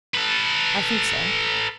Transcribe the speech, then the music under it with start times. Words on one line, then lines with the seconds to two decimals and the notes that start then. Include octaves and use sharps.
"I think so."
0.15 A4 B4